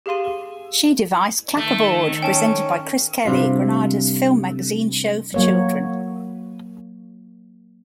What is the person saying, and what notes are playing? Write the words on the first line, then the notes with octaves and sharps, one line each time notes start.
She devised "Clapperboard", presented by Chris Kelly, Granada's film magazine show for children.
G4 G#4 F5 C6 D#7
D#3 A3
C#4 G5 A5
G2 C3 F4
F#3 A#3 C#5